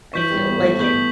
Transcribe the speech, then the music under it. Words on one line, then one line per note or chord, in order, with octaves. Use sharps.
I feel. Like, it
E3 C#6 G6 B6 F#7
G3
B3
A3
B3 C#6 G6 B6 F#7